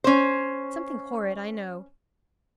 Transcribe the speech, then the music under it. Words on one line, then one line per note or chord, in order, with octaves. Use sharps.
Something horrid, I know.
C#4 C5